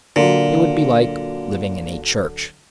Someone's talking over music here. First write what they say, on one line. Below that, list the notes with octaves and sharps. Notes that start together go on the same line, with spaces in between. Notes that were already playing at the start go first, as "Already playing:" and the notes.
It would be like living in a church.
A#2 D3 F#3